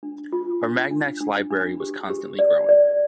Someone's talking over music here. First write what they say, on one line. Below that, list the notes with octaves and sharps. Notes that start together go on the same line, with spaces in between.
Armagnac's library was constantly growing.
D4
F4
D4
D4
D4
D4
G4
G4
D5
D5